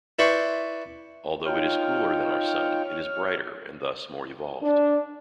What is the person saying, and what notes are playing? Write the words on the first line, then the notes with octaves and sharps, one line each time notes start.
Although it is cooler than our Sun it is brighter and thus more evolved.
E4 B4 D5 G5 C6 C#6
D#4 F4 C#5 G5 F6
D4